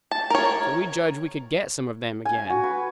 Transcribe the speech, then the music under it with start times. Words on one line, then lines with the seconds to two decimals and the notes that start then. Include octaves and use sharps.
So we judged we could get some of them again.
0.11 A5
0.30 A#4 C#5
2.25 G#5
2.50 F#4
2.64 B4